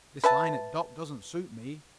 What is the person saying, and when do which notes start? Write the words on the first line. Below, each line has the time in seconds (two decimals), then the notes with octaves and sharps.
This lying at dock doesn't suit me.
0.24 B4 E5 A5